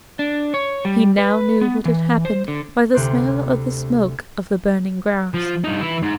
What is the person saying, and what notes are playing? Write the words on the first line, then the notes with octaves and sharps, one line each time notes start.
He now knew what had happened by the smell of the smoke of the burning grass.
D4
C#5
G3
B4
B3
E3
C5
D3
D2 C3 G4 C5 F#6
F3
G2 D#4
E3 E4
G#2